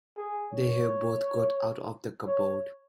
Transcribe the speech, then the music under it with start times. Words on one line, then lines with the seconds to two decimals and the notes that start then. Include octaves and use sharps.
They have both got out of the cupboard!
0.17 G#4
0.53 C#5
2.27 C#5